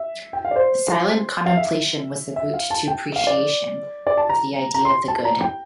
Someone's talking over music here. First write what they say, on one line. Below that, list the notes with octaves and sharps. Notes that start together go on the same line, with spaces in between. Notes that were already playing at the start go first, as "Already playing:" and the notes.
Silent contemplation was the route to appreciation of the Idea of the Good.
Already playing: E5
G5
F5
D5
C5
F5
E5
E5
F5
A5
G5
F5
D5
D5
A5
A#5
A#5
C6
A5
A#5
G5